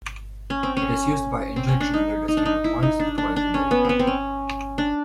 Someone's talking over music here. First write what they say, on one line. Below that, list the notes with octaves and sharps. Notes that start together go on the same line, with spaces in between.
It is used by injection under the skin once to twice a day.
C#4
C4
C#4
C4
C#4
D4
D#4
D#4
D4
D#4
E4
D#4
D4
D4
D4
C#4
B3
B3 C4
C4
C#4
D4